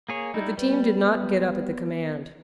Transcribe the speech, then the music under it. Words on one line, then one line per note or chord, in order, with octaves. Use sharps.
But the team did not get up at the command.
A#3 G#4 C#5
G3 D#4 E4 D#5
G3 B3 B4